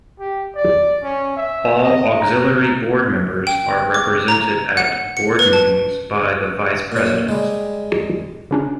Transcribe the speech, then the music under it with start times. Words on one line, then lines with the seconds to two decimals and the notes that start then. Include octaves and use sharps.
All auxiliary board members are represented at Board Meetings by the Vice President.
0.20 G4
0.55 D5
1.03 C#4
1.37 E5
1.83 D#5
2.19 A#5
3.47 G5
3.94 D6
4.28 A#5
4.77 F#5
5.17 C#7
5.39 B4
5.53 A5
6.92 A#2 C#5
7.28 G3 G#3
8.51 C#3 C#4 D4